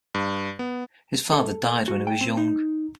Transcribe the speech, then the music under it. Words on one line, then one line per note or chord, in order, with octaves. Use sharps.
His father died when he was young.
G2
B3
A4
F#4
G5
C4
D#4